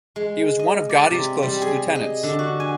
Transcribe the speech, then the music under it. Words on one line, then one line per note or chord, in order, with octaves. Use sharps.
He was one of Gotti's closest lieutenants.
G#3
D#5
D5
C3
G3
G#4
D#5
D3
F#4
G#5